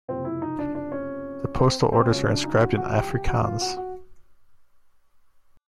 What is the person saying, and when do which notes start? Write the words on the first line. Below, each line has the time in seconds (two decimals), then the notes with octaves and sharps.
The postal orders are inscribed in Afrikaans.
0.08 F#1 F2 C3 C4
0.25 E4
0.42 D#4
0.59 D4
0.75 D4
0.92 C#4
1.60 C4
1.92 C4
2.10 C#2 C#3 F#3 C#4
2.27 D4
2.44 D#4
2.60 F#4
2.77 F#4
2.94 G4
3.10 G4
3.28 F#4
3.44 F4
3.61 F#4
3.77 F#4